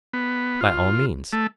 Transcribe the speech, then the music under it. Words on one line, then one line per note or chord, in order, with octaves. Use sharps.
By all means.
B3
F4
A3